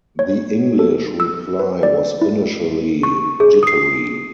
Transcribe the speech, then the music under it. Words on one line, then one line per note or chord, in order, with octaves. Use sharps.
The English reply was initially jittery.
C#5
A4
E6
B4
D5
E4
C#6
G#4
D#6 C7